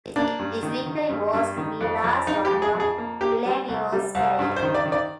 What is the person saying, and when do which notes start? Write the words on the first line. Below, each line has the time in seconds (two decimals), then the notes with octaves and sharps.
This victory was to be the last one of Villeneuve's career.
0.16 A#3 D4
0.39 G2
0.63 D#3
0.86 D#3
1.09 G2
1.33 G2
1.57 D#3
1.81 F2
2.04 F2
2.27 F2 D#4
2.45 G4
2.51 F2
2.62 G#4
2.74 F2
2.80 G#4
2.98 A#3
3.21 A#3 G4
3.45 G3
3.68 C2
3.92 G3
4.15 C2
4.39 G2
4.56 C5
4.63 D#3
4.74 D5
4.86 D#3
4.92 D5